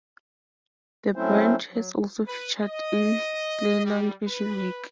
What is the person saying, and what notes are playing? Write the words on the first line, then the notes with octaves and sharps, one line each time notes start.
The brand has also featured in Ceylon Fashion Week.
F#3 A3 C4 C#4 E4 C5
F#3
B4
D#5
G3
B4